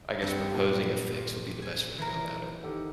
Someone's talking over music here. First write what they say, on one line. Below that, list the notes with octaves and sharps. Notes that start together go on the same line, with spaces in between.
I guess proposing a fix would be the best way to go about it.
G2 C4 F#5
A#2 G4
G#5
E3 A#4
D#3 G4 A4